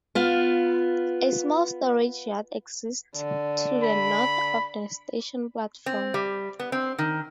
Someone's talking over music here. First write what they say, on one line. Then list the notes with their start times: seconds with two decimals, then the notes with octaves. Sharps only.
A small storage yard exists to the north of the station platform.
0.15 B3 F4 F5
3.17 D3
3.83 B5
5.86 C4
6.14 G3
6.60 B3
6.72 C4
6.99 D#3